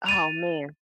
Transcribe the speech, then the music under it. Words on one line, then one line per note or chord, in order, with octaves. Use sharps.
Oh, man.
A6 D#7 F7